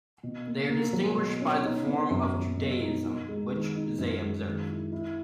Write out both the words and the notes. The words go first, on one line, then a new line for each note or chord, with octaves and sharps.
They are distinguished by the form of Judaism which they observe.
B2
A#3
A#3
F#3
B2
C#4
D#4
B3
F#2
F#3
B2
D#4
D#4
G#3
D#3
D#4
F#2
G#3
D#3
E4
E4